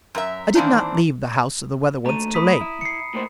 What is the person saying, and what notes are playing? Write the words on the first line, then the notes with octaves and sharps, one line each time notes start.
I did not leave the house of the Weatherwoods till late.
F#2 A#4 E5
D#3 E3 A#3 C4 D4 D#4
D#2 A3 A#5 D#7
B5 D#6 B6
E4
C7 C#7
A2 A#3 C5